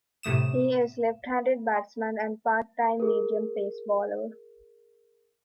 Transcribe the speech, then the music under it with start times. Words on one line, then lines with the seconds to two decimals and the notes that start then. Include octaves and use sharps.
He is a left-handed batsman and part-time medium pace bowler.
0.23 A2 C3 A3 D#6 E7
3.00 G#4 A#4